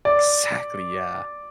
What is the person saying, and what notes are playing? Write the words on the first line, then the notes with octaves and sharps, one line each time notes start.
Exactly, yeah.
D5